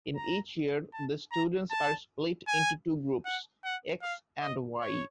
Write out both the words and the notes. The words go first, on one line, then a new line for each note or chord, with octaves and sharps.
In each Year, the students are split into two groups x and y.
A#5
A5
A#5
A5
G#5
F#5
F#5
F5
D#5
C#5